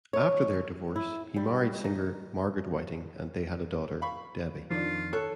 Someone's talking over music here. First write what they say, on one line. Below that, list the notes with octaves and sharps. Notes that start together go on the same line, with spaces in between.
After their divorce, he married singer Margaret Whiting, and they had a daughter, Debbi.
C#5
E4
G3
D#4
F5 B5 C#6
F2 D#3 F3 D4 F4
A4 C#5 F#6